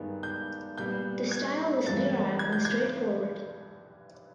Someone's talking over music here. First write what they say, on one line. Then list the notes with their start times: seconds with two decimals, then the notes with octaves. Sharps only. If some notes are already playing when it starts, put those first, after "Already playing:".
The style was virile and straightforward.
Already playing: G2 D#3 G#3 B3
0.23 G6
0.78 A#2 G3 B3 G6
1.31 G#6
1.86 G2 E3 G3 A#3 A6
2.39 G#6
2.53 G6
2.65 G#6